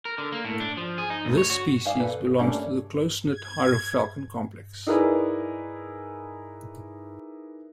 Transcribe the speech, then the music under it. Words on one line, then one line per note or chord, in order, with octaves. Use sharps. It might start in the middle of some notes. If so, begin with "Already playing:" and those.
This species belongs to the close-knit hierofalcon complex.
A#4
D3
A#3
A2
D4
F3
G#4
D#4
D2
C#5
F#4
G#4 D5 F5 G#5
A4 B4
G3 A3 A#3 C#4 D4
G#6
D#4 E4 G#4 A#4 B4 D5